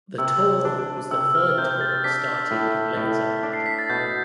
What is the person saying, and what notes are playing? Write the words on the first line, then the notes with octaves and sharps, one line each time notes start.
The tour was the third tour starting in Lenzerheide.
C3 E6
D4
C3 E6
F6
C3 G6
G6
A6
D4 B6
A2
A2
D4
C7
B6
A6
B2 G6